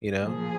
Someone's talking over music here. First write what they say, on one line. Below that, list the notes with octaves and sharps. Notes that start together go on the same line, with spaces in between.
you know,
A#2 F3 G#4